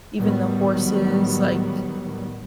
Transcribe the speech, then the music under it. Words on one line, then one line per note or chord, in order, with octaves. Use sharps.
even the horses, like,
A2 D#3 F#3 G3 B3